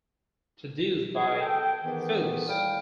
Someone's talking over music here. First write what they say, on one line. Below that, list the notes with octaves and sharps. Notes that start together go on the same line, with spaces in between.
Produced by Phuzz!
F#3 G#4
A4 G5
G#2 D#3 E3 B3
A2 G3 F5 G5